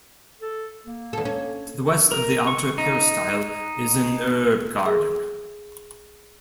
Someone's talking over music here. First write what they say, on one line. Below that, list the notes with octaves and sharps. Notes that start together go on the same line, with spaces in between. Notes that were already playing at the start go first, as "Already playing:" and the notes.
To the west of the Outer Peristyle is an herb garden.
A4
A#3
E2 A4
C#4
A#4
C#6
D#4
G#4